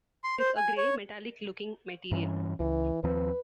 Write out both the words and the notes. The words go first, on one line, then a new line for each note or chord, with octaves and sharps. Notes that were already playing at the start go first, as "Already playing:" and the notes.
It is a grey, metallic looking material.
C6
C5
G#5
C#5
G2 E3 C#4
C#2 E3
D#2 F3 C4 B4